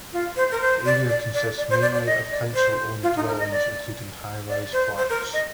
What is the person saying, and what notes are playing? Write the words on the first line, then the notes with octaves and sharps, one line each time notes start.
The area consists mainly of council owned dwellings including high rise flats.
F4
C5
A#4
C5
D5
D5
D5
D5
C5
D5
D5
D#5
D5
C5
F4
D#4
A#4
D#5
D5
D5
C5
C5
A#4
D#5